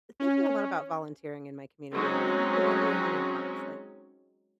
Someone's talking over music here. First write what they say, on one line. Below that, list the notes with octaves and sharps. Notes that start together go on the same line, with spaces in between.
thinking a lot about volunteering in my community, and I'm wondering your thoughts, like,
C#4
F#3 G#3 C4 C#4 D#4